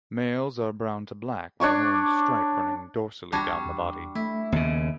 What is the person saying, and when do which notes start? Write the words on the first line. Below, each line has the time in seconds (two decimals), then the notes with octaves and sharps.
Males are brown to black with an orange stripe running dorsally down the body.
1.60 D4 C#5 C#6 D6
3.32 C#2 G3 D4 F#4 A5 G#6
3.66 E2
4.15 A3 E4
4.52 D#2 C#3 B3